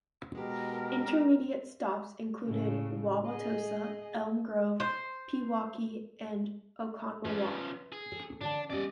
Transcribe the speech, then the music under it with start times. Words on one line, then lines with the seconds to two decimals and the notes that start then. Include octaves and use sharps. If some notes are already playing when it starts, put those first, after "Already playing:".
Intermediate stops included Wauwatosa, Elm Grove, Pewaukee, and Oconomowoc.
0.35 B2 G#3 G4 A#4
2.45 A2 C#3
3.28 G#4 D#5
4.80 C5
7.25 F3 C#4 B4 E5
7.92 G#4
8.12 A4
8.41 D3 D4 D5 A5
8.70 G3 B3 C#4 D5 D#5